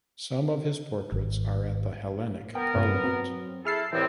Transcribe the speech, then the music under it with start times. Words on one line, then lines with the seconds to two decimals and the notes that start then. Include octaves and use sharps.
Some of his portraits are at the Hellenic Parliament.
1.12 G#1
2.55 B3 A#4 G5
2.75 G2 C3
3.04 F#3 C4
3.65 E4 G#4 A4 F6 C7
3.93 C2 A2 E3 C4